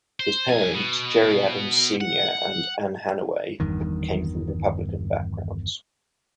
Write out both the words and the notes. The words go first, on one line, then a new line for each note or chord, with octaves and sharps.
His parents, Gerry Adams, Senior and Anne Hannaway, came from republican backgrounds.
C5
F2 G#5
B2
F#5
G1 E2 G2 D#3